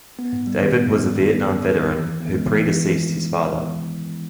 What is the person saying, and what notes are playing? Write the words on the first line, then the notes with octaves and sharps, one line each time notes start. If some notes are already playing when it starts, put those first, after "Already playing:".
David was a Vietnam veteran who predeceased his father.
B3
G#2
G3
D#3
B3
G#2
G3
D#3
B3
G#2
G3
D#3
E3
E3
B3
G#3
E3
E3